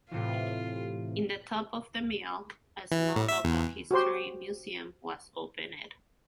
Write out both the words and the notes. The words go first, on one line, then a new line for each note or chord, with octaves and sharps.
In the top of the mill, a small local history museum was opened.
A2 C3 E3 F4
E3
A2
E5
E2
F#4 G4 C5 C6